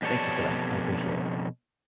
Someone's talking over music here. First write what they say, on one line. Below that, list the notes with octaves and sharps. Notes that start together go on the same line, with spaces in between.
thank you for that. I appreciate it.
F2 B2 G4 C#5 D5 A5